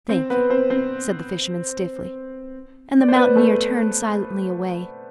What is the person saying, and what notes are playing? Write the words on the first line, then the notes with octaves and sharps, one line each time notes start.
"Thank you," said the fisherman stiffly, and the mountaineer turned silently away.
C4 C5
B3 B4
C4 C5
C4 C5
D5
C5
B3 B4
A3 A4